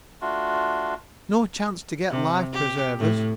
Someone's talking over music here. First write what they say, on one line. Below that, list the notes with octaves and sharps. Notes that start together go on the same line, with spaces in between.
No chance to get life-preservers.
A3 D4 F4 F#4
C3
G4
A2